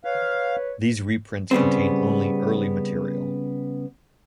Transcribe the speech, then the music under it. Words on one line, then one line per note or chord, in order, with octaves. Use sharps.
These reprints contain only early material.
B4 C#5 F5
C#3 G3 B3 C4